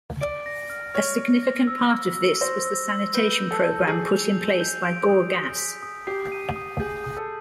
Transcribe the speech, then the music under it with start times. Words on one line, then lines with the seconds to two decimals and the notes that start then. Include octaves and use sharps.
A significant part of this was the sanitation program put in place by Gorgas.
0.21 D5 D7
0.46 A#6
0.70 F6
0.94 C#5 F6
1.18 F6
1.43 A#6
1.67 E6
1.92 E6
2.17 E6
2.41 C5 A#6
2.65 E6
2.90 E6
3.14 B4 G6
3.38 G6
3.51 A4
3.63 G6
3.87 G#4 G6
4.12 F7
4.36 G6
4.61 G6
4.85 D7
5.09 D#6
5.33 D#6
5.58 B6
5.82 D#6
6.07 G4 C7
6.32 D#7
6.56 D#6
6.80 G#4 G6
7.04 D#6
7.17 A4